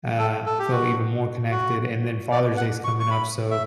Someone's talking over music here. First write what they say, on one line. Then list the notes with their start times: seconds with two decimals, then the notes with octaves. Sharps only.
uh, feel even more connected, and then Father's Day is coming up, so,
0.18 A4
0.46 A4
0.59 G4
0.71 F#4
1.51 F#4
2.31 D5
2.57 F#5
2.84 C#6
3.00 C#6
3.10 B5
3.51 E5